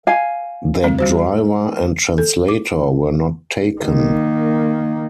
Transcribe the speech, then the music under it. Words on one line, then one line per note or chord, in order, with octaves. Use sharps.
Their driver and translator were not taken.
F5 G#5
G3 C4
G3 F#4 C5
A4
D6
D#3 A#3